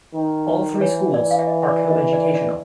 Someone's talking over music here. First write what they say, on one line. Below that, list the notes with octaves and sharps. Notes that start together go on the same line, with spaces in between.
All three schools are coeducational.
D#3
E3 C#5
E3 D5
F5
E5
D#5
D5
D#5
D5
D5